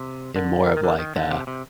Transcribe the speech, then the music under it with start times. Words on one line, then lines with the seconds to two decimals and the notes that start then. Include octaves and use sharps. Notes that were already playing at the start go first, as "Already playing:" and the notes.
in more of like the
Already playing: C3
0.36 D3 A#4
0.59 A#4
0.77 D#3
0.84 D3
0.99 D#3
1.16 D3
1.31 C3
1.47 C3